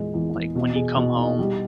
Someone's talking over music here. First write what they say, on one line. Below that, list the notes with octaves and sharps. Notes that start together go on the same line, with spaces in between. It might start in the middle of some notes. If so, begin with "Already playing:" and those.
like, when you come home,
Already playing: E2 A#2 G#3
E2
E2
B2
G#4
B2
D#4
G3